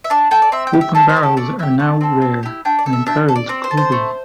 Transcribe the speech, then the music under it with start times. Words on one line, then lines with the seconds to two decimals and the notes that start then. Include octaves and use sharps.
Open barrens are now rare and imperiled globally.
0.04 E5
0.10 D4 D5
0.31 A4 G5
0.42 D5
0.52 C4 E5
0.67 G5
0.73 G4
0.81 E5
0.95 D4 A4
1.09 C5
1.16 G4
1.23 A4
1.37 A3 D5
1.59 E4 G4 E5
1.79 A3 A5
2.01 C4 A4
2.22 C4
2.43 E4 G4
2.65 D4 G5
2.79 D5
2.86 A4
2.93 E5
3.07 D4 E5
3.28 A4
3.36 D5
3.49 C4 D5
3.64 C5
3.71 A4
3.77 C5
3.92 A3